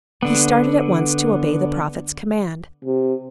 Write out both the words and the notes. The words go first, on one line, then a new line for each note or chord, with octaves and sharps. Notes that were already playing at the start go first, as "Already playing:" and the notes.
He started at once to obey the prophet's command.
D3 B3
C3